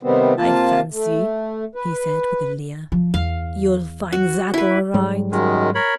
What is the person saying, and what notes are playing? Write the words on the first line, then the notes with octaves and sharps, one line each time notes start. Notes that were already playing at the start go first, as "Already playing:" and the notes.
"I fancy," he said with a leer, "you'll find that all right."
C3 D#3 G3 B3 C4
C3 A#3 F4 A5
A3
B4
F3
E2 F5
F#4
E4 B4
G#2 F#3 G3
F#2 D#3 G#3
A#4 C#5 B5